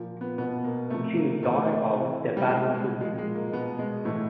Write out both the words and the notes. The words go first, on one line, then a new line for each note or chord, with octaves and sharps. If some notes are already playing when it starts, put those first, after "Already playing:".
She is daughter of Stefano Pucci.
Already playing: A#2 F3
B3
B2 B3
A#3
C3 F3 A3
A#3
A2 E3 A3
C3
E3
G3
B2 G#3
G#3
A#2 F3 G#3
G#3
A#3
B2 B3
G#3
A2 E3 A3